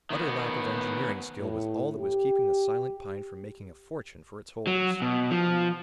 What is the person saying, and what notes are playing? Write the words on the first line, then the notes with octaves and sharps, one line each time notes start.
Utter lack of engineering skill was all that was keeping the Silent Pine from making a fortune for its holders.
D#3 B3
A2
G4
F#3
B2
F3